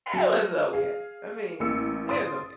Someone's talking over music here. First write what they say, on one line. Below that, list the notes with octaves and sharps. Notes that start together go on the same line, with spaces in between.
It was okay, I mean, it was okay,
F#3
G#4 F5
A1 A#3 E6 C#7
F5 C6 D#6 A6 D7